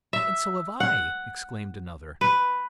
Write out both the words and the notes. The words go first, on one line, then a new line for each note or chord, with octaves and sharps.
"And so have I," exclaimed another.
E5
F#5
B4